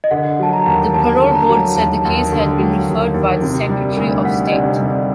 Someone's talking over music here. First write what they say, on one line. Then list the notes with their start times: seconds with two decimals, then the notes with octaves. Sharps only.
The Parole Board said the case had been referred by the secretary of state.
0.04 D#5
0.11 D3 F#5
0.39 F#3 A5
0.53 A#5
0.66 D#2
0.94 D#2 A5
1.22 D3
1.29 A5
1.35 A#5
1.49 F#3
1.76 D#2 A5
2.05 D#2
2.32 D3
2.59 F#3
2.88 D#2
3.14 D#2
3.42 C3
3.69 G3
3.97 D2
4.25 D4 F#5
4.48 D#5
4.52 C3 D5
4.80 G3